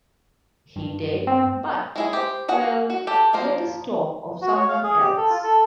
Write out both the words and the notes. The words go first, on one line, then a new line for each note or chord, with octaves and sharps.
He did, but — well, let us talk of some one else.
G2
C4
G#3 E4 G#4
G4 C5
F#4 G#4 F#5
F#4
G4 A4
F3 A#3 F4 C5
F#4
C#5
F5
G#4
G4
A4
F4
A4